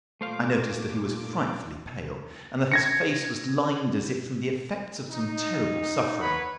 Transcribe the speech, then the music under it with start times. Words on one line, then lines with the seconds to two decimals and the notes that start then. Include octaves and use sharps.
I noticed that he was frightfully pale, and that his face was lined as if from the effects of some terrible suffering.
0.21 A#2 A3 C5 F5 D6
2.72 G#6 A#6 C#7
5.10 D#4
6.20 B4 C#5 F#5 B5